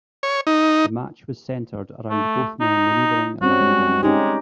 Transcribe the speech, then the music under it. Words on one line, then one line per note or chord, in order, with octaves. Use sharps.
The match was centered around both men maneuvering around on the mat.
C#5
D#4
A3
D#4
G3 C4 C#4 F#4
G#3
G#3 C#4 D#4 G4